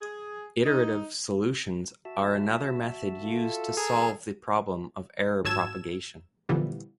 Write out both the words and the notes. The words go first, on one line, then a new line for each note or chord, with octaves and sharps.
Iterative solutions are another method used to solve the problem of error propagation.
G#4
D#4
F#4 E5 A5
F4 A4
G#4 A#4 A5 F6 G#6
G#1 F#3 A5 E6 G#6 E7
A#2 D3 E3 F3 G3 B3